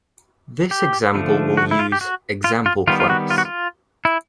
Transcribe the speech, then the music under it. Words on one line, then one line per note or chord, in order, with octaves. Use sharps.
This example will use "ExampleClass".
G4
D3 F3 A3
F#4
E4
F4
G4
F#4
F4
F4
D#3 G3 B3 F4
F4
F#4
F4
F#4
F4
E4